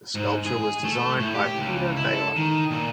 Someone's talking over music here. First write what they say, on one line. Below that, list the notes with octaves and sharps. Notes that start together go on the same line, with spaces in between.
The sculpture was designed by Peter Naylor.
G#2
G#4
A3
A2
G4
C#2
E4
A4
D#3
A#2